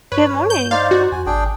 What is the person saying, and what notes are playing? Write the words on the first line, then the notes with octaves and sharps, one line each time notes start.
Good morning.
G2 B4 C#5
G6
D#4 C5 D5 F5
F#4
F2 G#5
G#1 D4 G#4 G5